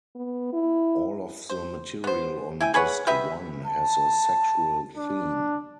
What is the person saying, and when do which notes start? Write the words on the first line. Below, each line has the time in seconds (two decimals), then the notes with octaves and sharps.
All of the material on Disc one has a sexual theme.
0.15 B3
0.53 E4
1.50 C5
2.04 B3 C5
2.60 E4 G5 G#5
2.74 G#4 B4 C#5 F#5
3.07 G4 B4 D#5 E5
3.66 A5
4.97 D4